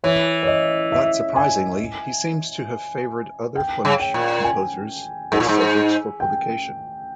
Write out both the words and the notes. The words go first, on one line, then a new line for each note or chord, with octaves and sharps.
Not surprisingly, he seems to have favored other Flemish composers as subjects for publication.
E3 C#5
C#5
D#5
E5
G#5
G5
C#3
G5
A#2
G#5
G#2
A#2
G#2
G5